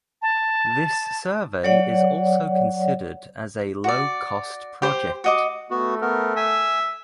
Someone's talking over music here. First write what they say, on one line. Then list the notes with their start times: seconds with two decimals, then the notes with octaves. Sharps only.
This survey is also considered as a low-cost project.
0.22 A5
1.64 F#3 C#5 D5 F#5
3.84 F#4 D5
4.82 G4 C5
5.24 F#4 D#5 D6
5.70 A3 B3 F#4
6.02 B3 A#4
6.36 E5 G#5